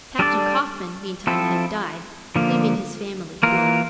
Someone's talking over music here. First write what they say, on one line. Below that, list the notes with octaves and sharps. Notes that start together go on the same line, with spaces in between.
Captain Coffin meantime had died, leaving his family poor.
G3 D4 A4 D5
F3 C4 E4 A4
D3 F3 A#3
E3 A#3 F4 A#4